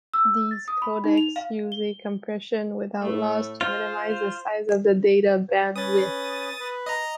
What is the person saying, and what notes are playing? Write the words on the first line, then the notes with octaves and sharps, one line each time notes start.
These codecs use a compression without loss to minimize the size of the data bandwidth.
E6
A6
D#6
B5
D#4
F7
F5
G7
A2 A3
F4 C5
C#4 B4 D#6 A6
B4
D#5 A#5